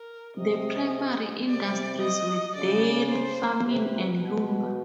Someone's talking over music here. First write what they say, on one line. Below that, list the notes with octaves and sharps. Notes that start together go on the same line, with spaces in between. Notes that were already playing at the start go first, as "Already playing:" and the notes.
The primary industries were dairy farming and lumber.
Already playing: A#4
C3 D#5
C3 D5
D#5
C#3 D5
C5
C3 B4
B2 B4